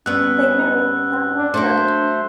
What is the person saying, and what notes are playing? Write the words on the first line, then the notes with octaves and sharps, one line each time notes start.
They married that winter.
G2 B3 C#4 E6 F#6
D4
F#3 A3 D4 C5